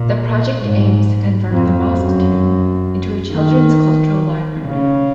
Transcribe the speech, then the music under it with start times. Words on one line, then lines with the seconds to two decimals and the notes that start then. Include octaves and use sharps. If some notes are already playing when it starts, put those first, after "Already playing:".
The project aims to convert the mosque-tomb into a children's cultural library.
Already playing: A#2
0.62 G#2
1.52 F2
1.97 F#2
3.31 D#3
4.66 C#3